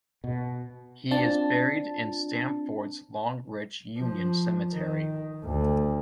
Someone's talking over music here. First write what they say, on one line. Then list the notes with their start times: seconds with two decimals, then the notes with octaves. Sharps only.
He is buried in Stamford's Long Ridge Union Cemetery.
0.24 B2
1.11 C4 D4 F4 A5
3.98 F3
4.72 D#3
5.44 D2